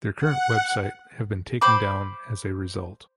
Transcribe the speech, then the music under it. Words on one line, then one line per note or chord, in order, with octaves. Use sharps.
Their current website have been taken down as a result.
F#5
C5 B5 D6